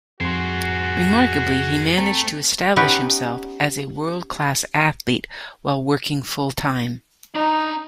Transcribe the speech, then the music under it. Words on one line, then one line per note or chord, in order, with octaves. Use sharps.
Remarkably, he managed to establish himself as a world class athlete while working full-time.
F2 F#4 G#4 C5 C6
A3 C4 A#5
B3 C#4 D#4 G4 B4 F#5
D4 D#4 A#5